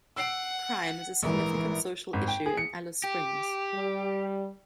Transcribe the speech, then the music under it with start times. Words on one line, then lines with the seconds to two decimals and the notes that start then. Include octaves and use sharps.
Crime is a significant social issue in Alice Springs.
0.16 F#5 E6 C7 D7
1.23 A#1 G#2 E3 A#4
2.13 G#1
2.28 G5
2.46 G#4
2.57 C#7
3.04 G4
3.74 G3